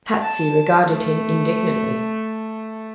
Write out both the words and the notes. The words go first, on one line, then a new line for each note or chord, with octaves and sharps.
Patsy regarded him indignantly.
A5
A3